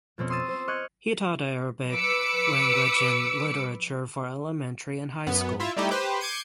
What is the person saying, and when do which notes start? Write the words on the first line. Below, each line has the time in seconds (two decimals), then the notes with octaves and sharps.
He taught Arabic language and literature for elementary and high school.
0.18 F2 B2 C4 C#4
0.30 C6 D#6 E6 A6
0.48 C5
0.68 D#5 C#6 F6 F#6 G#6 C#7
1.92 B4 D6 E6 C#7
5.27 F#2 B3
5.60 E4 F4 E5
5.76 G3 A3 D#4 E4 G4
5.91 G4 B4 C5
6.20 D6 G6 G#6 C7 C#7 D#7